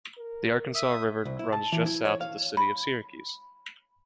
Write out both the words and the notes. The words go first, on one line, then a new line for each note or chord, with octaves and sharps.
The Arkansas River runs just south of the City of Syracuse.
A#4
E5 D#6
C2
E4
A5
E3
E4
C#5
F5
B5